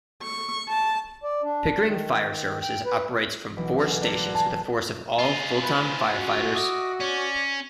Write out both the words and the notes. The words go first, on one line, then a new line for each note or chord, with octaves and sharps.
Pickering Fire Services operates from four stations with a force of all full-time firefighters.
C#6
A5
D5
D4
D#3
G5
B4
B1 E3 B6
F#2 A#3
D3 A#3
G#5 A5
F4 G#4
E4 B4 C5
F#4
D#5 E5 D6
C#4 C#5 D5